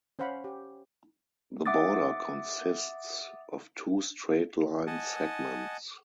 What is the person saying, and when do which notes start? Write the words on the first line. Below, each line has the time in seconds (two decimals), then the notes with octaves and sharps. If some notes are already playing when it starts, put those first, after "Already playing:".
The border consists of two straight line segments.
0.19 C#4 C5 F5 F#5 B5
0.44 G4
1.66 E5 F#5 D6 D#6 A6
4.87 D#5 F#5 G#5 A5